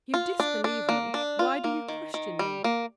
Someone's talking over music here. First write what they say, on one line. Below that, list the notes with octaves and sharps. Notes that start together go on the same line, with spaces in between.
"If you disbelieve me, why do you question me?"
F4
D4
D4
A#3
D4
F4
A#3
D#3
D#3
G3
A#3